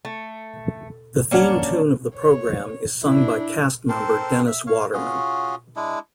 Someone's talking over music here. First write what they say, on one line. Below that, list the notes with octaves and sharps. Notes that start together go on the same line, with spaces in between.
The theme tune of the program is sung by cast member Dennis Waterman.
A3
A#3 C#4 D4 F#5
C#5
D4 E4
C4 A4 A#4 C5
E5
C#5 F5
C#4 F4 F#4 G#4
G#3 D4 E4